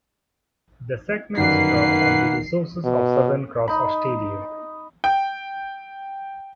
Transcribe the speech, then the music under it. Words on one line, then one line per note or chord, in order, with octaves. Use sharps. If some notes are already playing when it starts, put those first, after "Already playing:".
The segments draw on the resources of Southern Cross Austereo.
G1 F#2 D#3 A#3 B4 D5 F#5 C7
B2
D#4 B5
G5